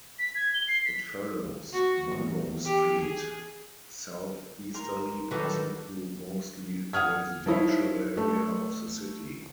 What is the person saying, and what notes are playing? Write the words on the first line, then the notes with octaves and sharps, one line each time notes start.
It follows Monroe Street southeasterly passing through mostly residential area of the city.
B6
G#6
G7
C7
B6
F#4
E2
G4
G#4
A#4 A#5 C6
D#3 E3 F#4 A4 B5 D6
F#5 D#6 F6 G#6
F3 D#4 E4 C#5
A3